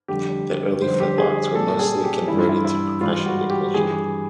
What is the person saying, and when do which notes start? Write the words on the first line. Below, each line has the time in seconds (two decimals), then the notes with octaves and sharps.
The early flintlocks were mostly converted to percussion ignition.
0.08 F2 D3 G3 G4
0.82 F2 D3 G3 C5
1.00 G4
1.18 G#4
1.55 A#2 G3 A4
1.79 G#4
2.04 G4
2.28 G2 E3 G3 E4
2.38 F4
2.49 E4
2.65 E4
3.01 G#2 E3 G3 F4
3.26 F#4
3.50 G4
3.74 G2 E3 G3 G#4